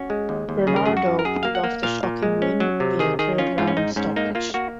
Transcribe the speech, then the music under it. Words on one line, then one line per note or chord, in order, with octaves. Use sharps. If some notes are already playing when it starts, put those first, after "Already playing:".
Bernardo pulled off the shocking win via third round stoppage.
Already playing: C#4 F#4
G#3
D#2
D#2
C#3 G#4
A#4
F#2 G#4
F#4
F#2
A#4
F#2 G#4
A#3 F5
F#5
A#3
A#2 F5
A#2
G#3
C#4
F#3
C3
D#3 G#4
D#3 G#4
C#4 F4
G#2 F4
C#4
G#2 D#4
G#2 C#4
A#3 D#4
A#3 F4
A#3 F#4